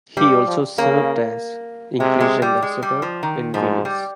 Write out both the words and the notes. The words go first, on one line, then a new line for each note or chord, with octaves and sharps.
He also served as English ambassador in Venice.
G2 G3
F3
C#3 A#3
C3 G#3
G#3
G3
G#3
G3
F3
D#3
G#2 F3
G3